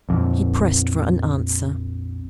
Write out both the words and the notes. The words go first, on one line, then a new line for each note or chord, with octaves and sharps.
He pressed for an answer.
A#1 F2